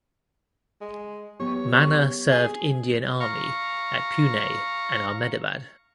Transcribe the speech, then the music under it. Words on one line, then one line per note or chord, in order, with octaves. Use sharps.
Manna served Indian Army at Pune and Ahmedabad.
G#3
F#3 B3 G4 C#5
G#4
F5 A#5 C#6